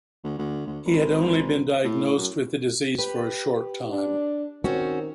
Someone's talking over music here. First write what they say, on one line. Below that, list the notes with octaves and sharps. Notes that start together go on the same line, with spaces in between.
He had only been diagnosed with the disease for a short time.
D2
D2
D2
G#1
A2
F#2
G4 B4
D4
D#3 C4 C#4 F#4